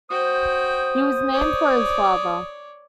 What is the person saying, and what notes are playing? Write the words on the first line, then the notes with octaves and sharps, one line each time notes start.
He was named for his father.
F#4 C5 G5 D#6
C#5 D5